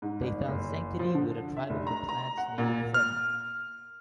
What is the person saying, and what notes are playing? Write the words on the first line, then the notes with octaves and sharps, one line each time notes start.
They find sanctuary with a tribe of the planet's native Fremen.
G#2
G1
F#1
F3
D3
E5
F1
A#5
A#5
F#5
A#2
F6